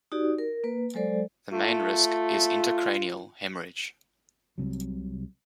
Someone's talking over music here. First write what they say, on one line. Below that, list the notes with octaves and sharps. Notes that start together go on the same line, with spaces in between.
The main risk is intracranial hemorrhage.
D#4 F#4 G4 D5
A#4
A#3 B4
F#3 G#3 A4 C5 D5
A3 F4
C2 C3 F#3